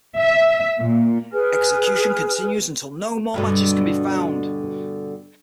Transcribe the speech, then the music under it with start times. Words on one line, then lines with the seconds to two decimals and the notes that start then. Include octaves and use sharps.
Execution continues until no more matches can be found.
0.19 E5
0.78 A#2
1.33 G#4 B4 G#5 F6
3.34 G2 B2 D3